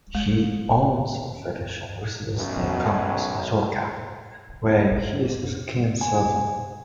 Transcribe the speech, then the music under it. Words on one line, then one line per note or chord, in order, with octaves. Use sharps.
He owns a vacation residence near Campos, Majorca, where he is a keen surfer.
G#3
B1 F#2
G#5